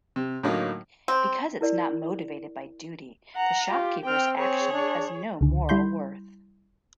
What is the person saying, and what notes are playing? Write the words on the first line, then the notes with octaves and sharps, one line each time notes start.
Because it is not motivated by duty, the shopkeeper's action has no moral worth.
C3
A2 D3 F#3 A#3 D#4 F4
C4
E4 A#4 D5
F#5 A#5
F4 G4
C4 G5 F6
C4 G#4 C#5
D4
C#2 D3
G3 E4 B5 C6 G6